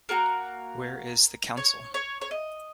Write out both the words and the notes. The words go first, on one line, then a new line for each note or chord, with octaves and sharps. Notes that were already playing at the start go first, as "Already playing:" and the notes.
Where is the Council?
A#3 F#4 A#4
C#5
C#5
C#5
D#5